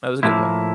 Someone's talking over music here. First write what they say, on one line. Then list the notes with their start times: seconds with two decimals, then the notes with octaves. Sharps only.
That was a good one.
0.23 A2 F3 A#3 E4